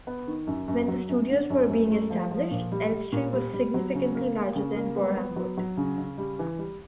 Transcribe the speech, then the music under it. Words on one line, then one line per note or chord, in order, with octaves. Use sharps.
When the studios were being established, Elstree was significantly larger than Borehamwood.
B3
D#3
F#2
F#2
F#3
F#2
D3
F#2
F#2
A3
F3
F3
A#2
G3
G3
A#2
G3
G3
F#3
C#3
A#3
A#3
C#3
A#3
B3
B3
F#3
F#3
C#3
C#3
G3
E3
G3